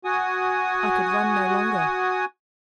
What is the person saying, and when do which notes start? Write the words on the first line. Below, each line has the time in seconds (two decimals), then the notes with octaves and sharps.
I could run no longer.
0.05 F#4 G#5 D#6